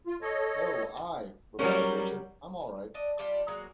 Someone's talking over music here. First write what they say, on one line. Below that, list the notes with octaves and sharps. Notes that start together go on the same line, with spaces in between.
"Oh, aye," replied Richard, "I'm all right."
F4
A4 C#5 D#5
F#3 G3 C#4 A#4 C#5
D4 D#5
G3 D4 F4 G4
F#3 G#3 A#3 F#4